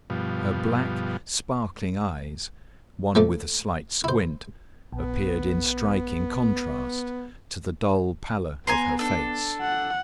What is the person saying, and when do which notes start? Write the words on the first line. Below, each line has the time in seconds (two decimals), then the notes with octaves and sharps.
Her black, sparkling eyes, one with a slight squint, appeared in striking contrast to the dull pallor of her face.
0.10 G2 B2 F3
3.15 F3 A3 A#3
4.04 E4 C5
4.92 A#1 B3
8.67 B3 G#5 A#5 C6
8.99 D4 A4
9.61 F#5